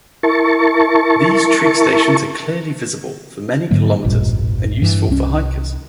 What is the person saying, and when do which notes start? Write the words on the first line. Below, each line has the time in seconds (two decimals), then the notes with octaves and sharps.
These trig stations are clearly visible for many kilometres and useful for hikers.
0.23 E4 A#4 A5 C#6
3.71 G#2 D3 F#3 A#3
4.04 E1 A1 G2 A#2
4.82 G2 E3
5.09 C2 C#4